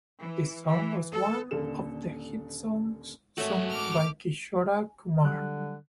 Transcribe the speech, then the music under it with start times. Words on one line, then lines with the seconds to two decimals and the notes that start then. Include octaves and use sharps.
This song was one of the hit songs sung by Kishore Kumar.
0.20 E3
0.65 E3
1.12 A4
1.51 D#1 D3 A#3 A4 E7
3.38 G#2 A3 F#4 C#5 E5
3.71 D6 F6
5.23 D3 F#3 G3 F#6